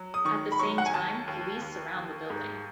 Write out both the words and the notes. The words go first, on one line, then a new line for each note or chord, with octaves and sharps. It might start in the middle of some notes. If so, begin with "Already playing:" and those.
At the same time, police surround the building.
Already playing: F#3
D#6
D#3 C#6
B5
F#3 C#6
F#5
G#5
D#2 A5
D#2
D#2
D#2
G#2